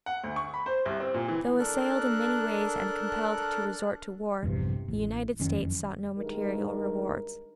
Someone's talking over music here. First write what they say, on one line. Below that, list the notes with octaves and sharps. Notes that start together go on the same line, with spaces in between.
Though assailed in many ways and compelled to resort to war, the United States sought no material rewards.
F#5
D2
C#6
B5
C5
C2
C4
A#2
E3
D4 A4 A#4 F#6
A#1 E2 G2 C3
A1
F#1 F2 D#3 C#4
G2 D#3 G#3 A#4